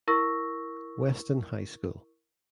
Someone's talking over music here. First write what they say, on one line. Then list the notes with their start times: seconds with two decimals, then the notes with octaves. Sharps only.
Weston High School.
0.08 E4 A#4 C#6 E6 A#6